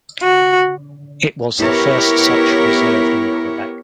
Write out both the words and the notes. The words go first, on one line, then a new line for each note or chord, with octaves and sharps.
It was the first such reserve in Quebec.
F#4
B3 E4 G4 A#4 C#5